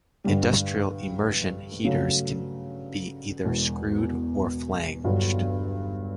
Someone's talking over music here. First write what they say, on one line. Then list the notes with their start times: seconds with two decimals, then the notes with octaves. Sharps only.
Industrial immersion heaters can be either screwed or flanged.
0.24 G2 D3 G3
1.84 C#3 F#3 A3
3.44 E1 E2 B2
5.04 G1 G2 F#3